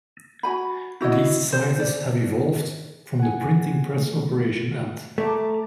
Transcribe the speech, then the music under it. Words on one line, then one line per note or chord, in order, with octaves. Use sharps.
These sizes have evolved from the printing press operation end.
F#4 G#5 B5
E4 F#4 C#5 D#5
C5
D5
F#5 G#5
A3
A3 A5 A#5 D6